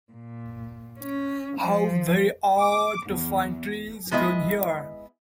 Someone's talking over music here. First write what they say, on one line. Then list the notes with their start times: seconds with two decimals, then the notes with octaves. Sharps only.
How very odd to find trees growing here!
0.13 A#2
1.00 C#4
1.59 F3
2.60 D6
3.06 E2
4.11 G#3 B3 E4 D#5 E5